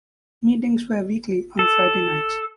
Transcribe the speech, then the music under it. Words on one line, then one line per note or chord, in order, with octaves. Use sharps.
Meetings were weekly on Friday nights.
A4